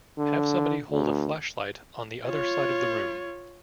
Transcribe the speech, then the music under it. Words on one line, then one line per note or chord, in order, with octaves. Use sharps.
Have somebody hold a flashlight on the other side of the room.
D3
D2
F4 C#5